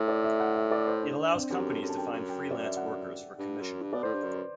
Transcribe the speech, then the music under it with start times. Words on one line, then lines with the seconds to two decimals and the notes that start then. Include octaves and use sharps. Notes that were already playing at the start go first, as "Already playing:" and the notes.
It allows companies to find freelance workers for commissioned work.
Already playing: A2 E5
0.08 D5
0.24 E5
0.40 F#5
0.56 E5
0.71 D5
0.87 C5
1.03 D4
1.34 C4
1.50 F#2 G4
1.66 A4
1.82 F#2
1.89 A5
1.97 G5
2.13 F#2
2.29 G5
2.51 D5
2.61 E5
2.77 F#5
3.39 G2
3.61 F#2
3.82 G2
3.93 B2 D5
4.03 A2 C5
4.14 G2
4.23 F#2
4.34 B4